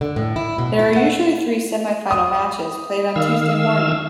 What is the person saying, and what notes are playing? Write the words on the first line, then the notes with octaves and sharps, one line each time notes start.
There are usually three semifinal matches played on Tuesday morning.
D3
A2
E4
B2
E4
F#5
D#6
D#3 F5 E6